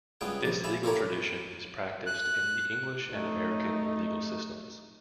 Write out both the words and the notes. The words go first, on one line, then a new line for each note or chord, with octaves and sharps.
This legal tradition is practiced in the English and American legal systems.
C#2 G2 B3 F4 G#4 G5
A#1 D5
E5 F5 G#5 B5
E4 F4 G4 A4 A#4 C#5
F#6
A3 D#4